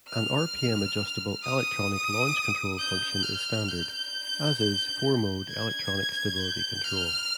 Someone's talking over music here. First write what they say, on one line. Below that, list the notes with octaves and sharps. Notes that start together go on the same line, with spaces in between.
An rpm-adjustable electronic launch-control function is standard, as is four-mode electronic stability control.
F6
D#6
G6
F6
G6
G#6
G6
F6